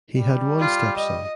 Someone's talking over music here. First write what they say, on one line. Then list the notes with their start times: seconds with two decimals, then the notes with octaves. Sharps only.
He had one stepson.
0.15 G3
0.60 F4
0.97 D#5